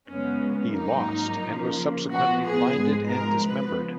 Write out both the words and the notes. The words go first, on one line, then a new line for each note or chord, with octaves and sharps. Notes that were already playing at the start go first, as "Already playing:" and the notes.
He lost and was subsequently blinded and dismembered.
F#2 C#3 G#3 B3 C#4
G#2 F#3 A#3 D#4
C#3 F3 A#3
A#2 F3 B3 F#4
G#4
G#2 F3 G#3 B3
A#4
C#3 F3 B3 B4